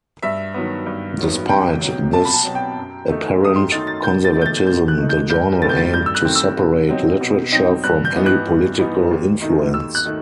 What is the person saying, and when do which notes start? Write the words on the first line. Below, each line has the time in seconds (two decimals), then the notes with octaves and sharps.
Despite this apparent conservatism, the journal aimed to separate literature from any political influence.
0.22 G2 E5
0.54 D#3 F#3 B3
0.86 G2
1.18 D#3 F#3 B3
1.49 C2 G5
1.81 B2 F#3
2.13 C2 A5
2.25 B5
2.34 A5
2.45 B2 F#3
2.55 G5
2.77 F#2
3.08 D#3 A3 D#4
3.40 F#2 D#6
3.56 C6
3.72 D#3 A3 D#4 A6
3.87 A6
4.03 B2 G6
4.25 A6
4.35 A3 D#4
4.41 G6
4.46 A6
4.67 B2 G6
4.88 F#6
4.98 A3 D#4
5.09 G6
5.30 G2 G6
5.62 D#3 A3 C4 A6
5.69 G6
5.77 A6
5.93 G2 G6
6.06 E6
6.15 F#6
6.25 D#3 A3 C4
6.35 E6
6.57 B2
6.89 F#3 C4 D#4
7.21 B2
7.52 F#3 C4 D#4
7.84 G2 F#6
8.05 G6
8.15 E3 B3 D#4
8.26 F#6
8.47 G2
8.79 E3 B3 D#4
9.11 D#2
9.42 D#3 A3 D#4
9.74 D#2 E6
9.95 F#6
10.05 D#3 A3 D#4